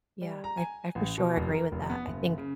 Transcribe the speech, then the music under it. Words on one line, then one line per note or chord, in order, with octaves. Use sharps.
Yeah. I I for sure agree with that. I think
G3
A#5
G#5
A1
B2
F1
A#4
F1
B3
F#1
C#3